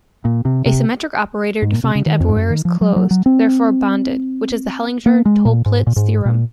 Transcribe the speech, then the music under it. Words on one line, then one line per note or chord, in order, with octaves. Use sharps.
A symmetric operator defined everywhere is closed, therefore bounded, which is the Hellinger-Toeplitz theorem.
A#2
C3
C3
G#2
A#2
C3
C#3
D#3
F2
G#2
F#2
D#3
F3
F#3
F#3
F#3
C4
A#3
G#3
A#2
G#2
A#2
G#2
A#2